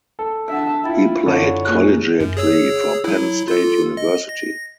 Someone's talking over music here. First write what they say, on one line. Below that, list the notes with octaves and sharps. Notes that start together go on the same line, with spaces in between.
He played collegiately for Penn State University.
A4
D4 E5 F#5 A5
E4 F4 G5 B5 A6
F#2 D3 E4 C#5 B5
A#2 G#4 F#6
F#2
G#4 C#5 E6
F#3 E4
F4 A4
D#5
A#6